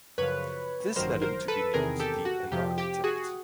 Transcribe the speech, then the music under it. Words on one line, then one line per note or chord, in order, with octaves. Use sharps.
This led him to be nicknamed the "Anarchitecte".
F#2 C#3 F3 B4 C#5
A1 G2 D#3 F#3 A#4 C5
A#4 C5
A4 B4
E2 C3 D#3 G#4 A#4
G4 A4
F#4
F2 C3 F3 G4
G4
F#4 G#4